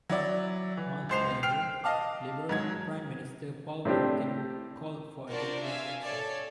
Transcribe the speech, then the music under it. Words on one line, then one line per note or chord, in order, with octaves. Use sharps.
Months later, Liberal Prime Minister Paul Martin called for a general election.
F#3 E4 D5
E3
C#2 C5 C7 F7
G5 F6 C7 F7
D#5 F5 A5 D6
G#2 F#3 G#6
A2 C4 D4 G4
D4 F4 F#4 A#4 C5 D5
E5 F5 G#5
A4 C#5 D5 A5